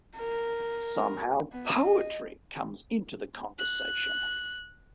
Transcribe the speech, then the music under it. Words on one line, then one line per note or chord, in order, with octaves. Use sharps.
Somehow poetry comes into the conversation.
A#4
B3
D#5
F#6